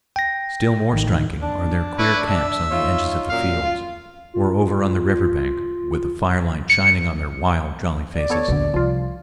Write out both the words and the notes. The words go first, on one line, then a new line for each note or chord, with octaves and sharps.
Still more striking are their queer camps on the edges of the fields or over on the river bank, with the firelight shining on their wild jolly faces.
G5 A#6
A1 D#3
D4
E4 B4 C#5
E5
D#4 F4 C#5
F#2 A#2 F5
F4
F4
C#7
D5
B3 A4 C#5
A#1 D#2 B2 D3
C2 F3 F4